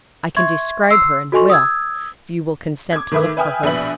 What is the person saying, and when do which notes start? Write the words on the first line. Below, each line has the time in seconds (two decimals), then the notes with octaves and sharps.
I can describe her, and will, if you will consent to look for her.
0.37 E5 C6 C#6 G#6
0.90 C6 E6 C7
1.32 F#4 A4 D#5 G#5 C6 C#6
1.50 D#6 E6 G#6
2.92 D6 G#6
3.12 D#3 A3 B4 E5 D6
3.37 B4 E5 G5 G#5 D#6 F6
3.63 A#1 B2 B4 E5 F#7